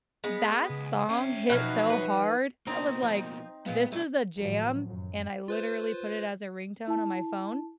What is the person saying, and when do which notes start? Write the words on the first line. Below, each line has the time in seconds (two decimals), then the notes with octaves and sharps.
that song hit so hard. I was like, "This is a jam," and I literally put it as a ringtone on my phone,
0.24 G#3 B3
0.70 C#2
1.09 C#4 E5 G5
1.50 B2 F3 F#3 D#4 F#5 F6
1.90 B4 F#5
2.67 B2 A#3 C4 D#4
3.03 F3
3.66 A#2 G#3 B3 F5
3.92 B1 A3 D4
4.38 A2 D#3 F3 F#3
4.86 F#2
5.48 F4 B4 C5
6.88 E4 A5